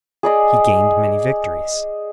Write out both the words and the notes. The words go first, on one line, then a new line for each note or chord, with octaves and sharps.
He gained many victories.
G#4 D5 D#5